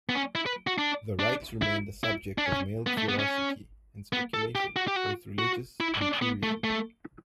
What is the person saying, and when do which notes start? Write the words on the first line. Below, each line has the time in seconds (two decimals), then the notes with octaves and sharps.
The rites remained a subject of male curiosity and speculation, both religious and prurient.
0.09 B3
0.15 C#4
0.35 E4
0.46 B4
0.67 F#4
0.78 D4
1.19 D4
1.62 E4
2.04 E4
2.38 D4
2.46 C#4
2.87 B3
2.98 A3
3.09 B3
3.19 C#4
4.13 B3
4.34 A4
4.55 G4
4.76 F#4
4.88 G4
4.96 F#4
5.39 F#4
5.80 E4
6.02 D4
6.22 B3
6.43 A3
6.64 A3